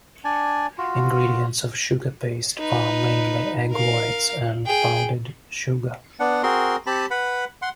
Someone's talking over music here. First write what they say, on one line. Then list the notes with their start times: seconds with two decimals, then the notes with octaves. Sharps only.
Ingredients of sugar paste are mainly egg whites and powdered sugar.
0.25 D4 D5 G#5
0.78 F4 F#4
2.59 D#4 B4
3.71 A#4 F5
4.66 G#4 G5
6.19 B3 D4 F#5
6.43 C4 F#4 G#4 A#4 C6
6.87 C4 G4 A5 B5
7.11 B4 F#5 B5
7.62 F#5 C6